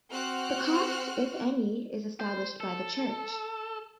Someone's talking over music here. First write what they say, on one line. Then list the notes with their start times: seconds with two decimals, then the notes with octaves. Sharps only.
The cost, if any, is established by the church.
0.10 C4 F#4 C5 F6 F#6
2.20 C5
2.61 A4